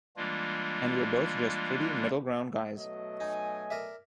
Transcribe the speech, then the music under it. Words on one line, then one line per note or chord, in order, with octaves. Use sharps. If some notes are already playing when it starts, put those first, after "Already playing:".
And we're both just pretty middle-ground guys.
E3 G3 G#3 A#3 D4 F4
B2 F#3 A3 D#5
D#4 G#5
A#4 D5 E5